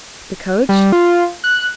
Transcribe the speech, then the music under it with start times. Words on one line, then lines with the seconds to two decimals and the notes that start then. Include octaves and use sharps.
"The coach?"
0.69 G3
0.92 F4
1.44 F#6